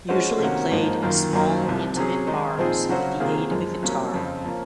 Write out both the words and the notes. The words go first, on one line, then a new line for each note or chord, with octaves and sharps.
Usually played in small, intimate bars with the aid of a guitar.
F3 G#3 C#4 F#4 C5
C3 D#3 A#3 C#4 F#4
G#2 F3 A#3 D#4
F#2 D#3 A#3 F4 A#4
F#2 D#3 F#3 A#3 D#4
C2 C3 F3
C3 F#3 C#4 G#4
D#3 G#3 D#4
A#2 F3 C4 D#4 G#4
C#3 F#3 C#4 F#4 C5
C3 D#3 A#3 F4 G#4
F#2 F3 G#3
C2 C3 F#3 A#3 C#4
F2 C#3 F3 C4
F3 A#3 C#4